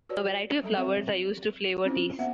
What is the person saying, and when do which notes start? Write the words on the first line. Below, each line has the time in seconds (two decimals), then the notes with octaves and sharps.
A variety of flowers are used to flavour teas.
0.09 F#4 G#4 B4 C#5 D5
0.62 F#3 G3 A4 A#5
0.77 C4 G#4 C5 C#5 E5 G5
1.84 C4 C#4 E4 F4 G#4 C5
2.19 A#3 B3 C5 E5 F#5